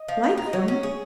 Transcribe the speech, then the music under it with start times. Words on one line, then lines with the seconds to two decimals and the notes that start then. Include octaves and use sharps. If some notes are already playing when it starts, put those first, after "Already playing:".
Like them!
Already playing: D#5
0.08 F3
0.24 D#4
0.37 D#4
0.46 D#5
0.53 F#3 C#5
0.68 C#4
0.83 G#4